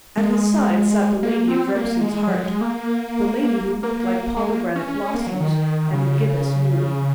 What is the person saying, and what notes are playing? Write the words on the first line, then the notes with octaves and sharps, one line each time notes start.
At his side sat the lady of Remsen's heart--the lady who looked like pomegranate blossoms and the gibbous moon.
G#3
A#3
C4
A#3
G#3
F#3
G#3
A#3
A#3
G#3
A#3
C#4
C#4
C#4
A#3
F#3
D#3
C#3